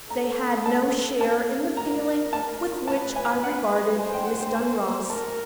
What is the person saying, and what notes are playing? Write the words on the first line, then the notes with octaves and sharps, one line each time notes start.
They had no share in the feeling with which I regarded Miss Dunross.
A4 A#5
A5
A5
A#4 A#5
A5
B4 A5
G#5
F#5
C5 G#5
G5
F#5
G5
G#5
A#4 A5